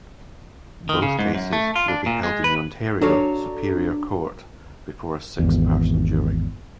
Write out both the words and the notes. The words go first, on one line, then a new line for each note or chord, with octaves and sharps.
Both cases will be held in the Ontario Superior Court before a six-person jury.
D#3
C#3
G#2
F#2
A3
F4
D4
A#2
G#3
B4
F#3 D4 A4 C#5 F5
G#1 E2